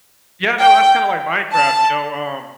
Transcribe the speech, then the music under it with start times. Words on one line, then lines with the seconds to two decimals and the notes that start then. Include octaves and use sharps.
Yeah, no, that's kinda like Minecraft, you know, um
0.60 G5
1.54 A5